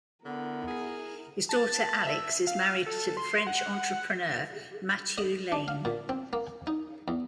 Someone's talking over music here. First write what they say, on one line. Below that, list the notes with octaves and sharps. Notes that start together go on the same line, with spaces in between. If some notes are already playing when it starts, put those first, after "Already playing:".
His daughter Alix is married to the French entrepreneur Mathieu Laine.
D3 B3 E4 A#4
G#4
A5
E5
F5
A4
C6
F#5
D#5
D4
F5
A#2
C4
A#3
D#4
E2